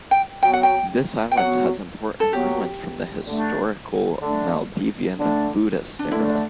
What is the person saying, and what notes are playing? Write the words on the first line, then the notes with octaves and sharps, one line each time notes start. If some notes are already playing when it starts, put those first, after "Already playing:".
This island has important ruins from the historical Maldivian Buddhist era.
G5
F#3 B3 F#4 G5
F#5
G5
G5
F#3 B3 F#4 F#5
A4
F#3 B3 F#4 G4
D3 A3 D4
D3 A3 D4
D3 A3 D4
D4
D3 A3 D4 E4